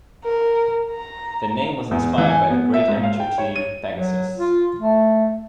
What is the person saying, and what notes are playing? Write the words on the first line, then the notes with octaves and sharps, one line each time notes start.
Their name was inspired by the great amateur team Pegasus.
A#4
A#5
E2
E3
G#5
B3
E5
G#2
F5
G5
C#5
D#7
F#3
F4
A3